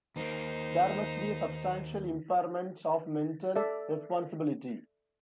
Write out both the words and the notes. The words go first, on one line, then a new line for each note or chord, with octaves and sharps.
There must be a "substantial" impairment of mental responsibility.
D#2 A#3 D#4 C5
A4 D5 E5